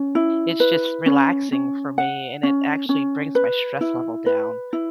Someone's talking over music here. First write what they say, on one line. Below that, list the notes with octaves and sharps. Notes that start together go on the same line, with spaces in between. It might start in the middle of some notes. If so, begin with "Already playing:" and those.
it's just relaxing for me and it actually brings my stress level down,
Already playing: C#4
E4
B4
C#4
C#4
F#5
C#4
C#4
B4
E4
B4
E4